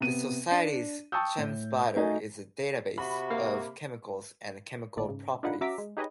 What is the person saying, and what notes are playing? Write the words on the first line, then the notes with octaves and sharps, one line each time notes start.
The society's ChemSpider is a database of chemicals and chemical properties.
C3 B3 D#7
D4
G5 A5 C#6 D#6 E6 G6
A2
A3 D#4 F#4 D#5 G#5
C3 F#4 B5
A#3 F5
G#1 A#2 D5
G#2 C#3
D4 D#4 F4 B4 F#5
C#4 F#4 E5 A#5 D6 B6
G#3
D#4 G4 G#4 B4 C#5 D#5